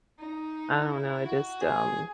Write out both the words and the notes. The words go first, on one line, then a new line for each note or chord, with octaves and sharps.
I don't know, I just, um,
D#4
E4
F#4
G#4